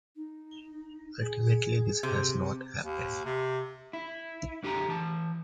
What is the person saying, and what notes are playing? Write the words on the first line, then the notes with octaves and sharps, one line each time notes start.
Ultimately, this has not happened.
D#4
G#4
C3
D#2
C3
E4
F#2 D3 G4 G#4 G5 A#5
E3 A5